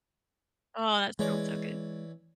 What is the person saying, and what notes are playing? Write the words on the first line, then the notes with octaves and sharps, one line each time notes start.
Oh, that sounds so good.
E3 G#3 C#5 D5